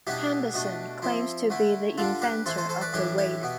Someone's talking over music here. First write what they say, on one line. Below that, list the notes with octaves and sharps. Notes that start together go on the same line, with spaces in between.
Henderson claims to be the inventor of "the wave".
B2 G3 B3 D4 E4 G4
B2 A3 D4
F3 C4 E4
D3 A3 E4
D3 G3 D4 F4 A4
G4 B4
E3 A3 E4 A4 C5
A4 C5
A4 C5
B4 D5
A2 E3 G3 D4 E4 G4
E4 G4
B2 B3